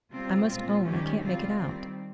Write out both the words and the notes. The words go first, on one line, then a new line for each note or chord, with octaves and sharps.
I must own I can't make it out.
C3 G3 C4 F4
A#2 G#3 C4 F4
D#3 G3 C#4 G4
C3 G3 C4 F4
D#3 G3 C4